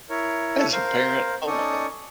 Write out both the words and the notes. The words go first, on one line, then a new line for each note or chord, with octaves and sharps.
As a parent, oh my god.
E4 A#4 C#5
E4 A4 C#5
A#4 C5 F5
C#4 D#4 A4 D5 C#6 D#6